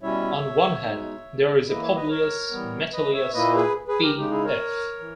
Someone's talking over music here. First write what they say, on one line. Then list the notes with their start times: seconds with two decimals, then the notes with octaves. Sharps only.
On one hand there is a Publius Metilius P.f.
0.03 B2 G3 C#4 E4 C#5 E5
0.85 B2 G#3 D#4
1.68 E3 A#3 E4 B4 D#5
1.82 C#5 E5
1.96 B4 D#5
2.09 A#4 C#5
2.51 E3 G3 B3
2.92 B4 D#5
3.13 C#5 E5
3.34 A#2 A#3 E4 B4 D#5
3.54 G#4 B4
3.88 G#4 B4
4.02 G4 A#4
4.16 C#3 G#3 D#4 G4
4.31 E4 G#4
4.44 A#4 C#5
4.99 E3